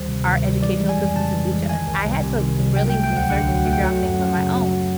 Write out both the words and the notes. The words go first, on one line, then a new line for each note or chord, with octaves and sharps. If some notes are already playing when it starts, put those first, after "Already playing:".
our educational system to teach us. I had to really research and figure out things on my own,
Already playing: D2 D#3 G3 C5
C3
D#3
G3
E3 D5
G#3
G#5
F2
C#3 A5
E3
G#3
D#3 G#5
C2
C2
C3
D#3
C2
F#3 G5
G5
A3
G5
D2 F#5
D3 F#5
F#3
A3
G5
F#3 F#5
F#2
F#2
C#3
F#3